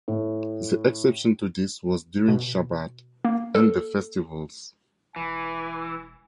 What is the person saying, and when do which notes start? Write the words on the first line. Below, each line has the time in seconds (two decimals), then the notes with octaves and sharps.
The exception to this was during Shabbat and the festivals.
0.08 A2
2.28 B2
3.25 A#3
3.55 A4
5.16 E1 E3 G#5